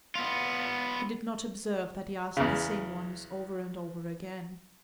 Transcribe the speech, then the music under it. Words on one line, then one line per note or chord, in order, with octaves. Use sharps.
He did not observe that he asked the same ones over and over again.
B3 F4
E2 C#3